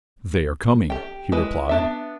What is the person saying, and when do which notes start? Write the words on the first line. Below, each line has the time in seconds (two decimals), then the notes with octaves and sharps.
"They are coming," he replied.
0.90 G4 G5
1.32 G#3 E4 B4
1.69 B3 D4 E5